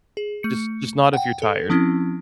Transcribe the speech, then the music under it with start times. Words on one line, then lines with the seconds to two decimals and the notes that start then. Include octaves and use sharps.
Just just not if you're tired,
0.17 G#4
0.43 A3 C#7
1.13 F#5 G5
1.42 A4
1.70 F3 C4 C#4 E4